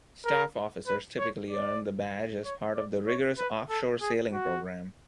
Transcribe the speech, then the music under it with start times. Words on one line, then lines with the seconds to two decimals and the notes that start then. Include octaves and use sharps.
Staff officers typically earn the badge as part of the rigorous off-shore sailing program.
0.25 A#4
0.87 B4
1.19 C#5
1.51 D5
2.45 C#5
2.75 D5
3.07 C#5
3.38 B4
3.70 A4
4.02 G#4
4.33 F#4